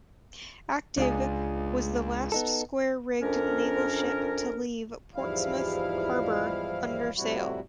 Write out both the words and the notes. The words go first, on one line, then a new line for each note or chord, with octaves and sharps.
"Active" was the last square-rigged naval ship to leave Portsmouth Harbour under sail.
C#2 D4 F4 G#4
B3 D#4 A4
F2 C#4 D4 A#4
E2 G#2 F3 G3 E4 F5
F2 A2 C3 G3 E4 F#4